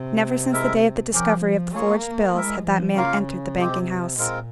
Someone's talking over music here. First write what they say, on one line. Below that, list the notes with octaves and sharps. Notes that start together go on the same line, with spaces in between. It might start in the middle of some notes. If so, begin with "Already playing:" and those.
Never since the day of the discovery of the forged bills had that man entered the banking-house.
Already playing: C3
G#3 E4 A#4 E5
F3 C#4 G4 A#4
A#3 C#4 F4 G#4 C#5
G#3 E4 A#4 E5
F3
C#3 A#3 F4 A#4 F5
C3 G#3 C4 G4
A#2 G#3 C4 F4 A#4